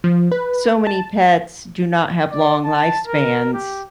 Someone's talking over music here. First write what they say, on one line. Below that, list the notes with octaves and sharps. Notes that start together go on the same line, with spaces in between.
so many pets do not have long lifespans.
F3
B4
A5
D5
A5
A#4
G4